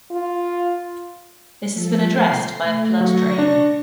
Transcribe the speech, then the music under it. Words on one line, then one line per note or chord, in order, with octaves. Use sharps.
This has been addressed by a flood drain.
F4
F3 A4
C6 C7
A3
F#3 C#6 A#6
D4